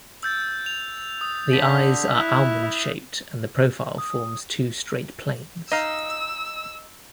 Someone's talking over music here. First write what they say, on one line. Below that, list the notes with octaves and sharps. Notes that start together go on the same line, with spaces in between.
The eyes are almond shaped and the profile forms two straight planes.
E6 G6 A6
F7
D#6
D3 B6
E4 F#6
D#6
D#4 D#5 F5 E6